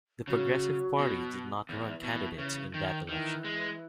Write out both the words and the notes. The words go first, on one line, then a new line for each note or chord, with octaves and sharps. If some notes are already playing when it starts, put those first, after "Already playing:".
The Progressive Party did not run candidates in that election.
C#3 F#3
B2
E2 E3
B2
C#3
D#3
D#3 E3
G#3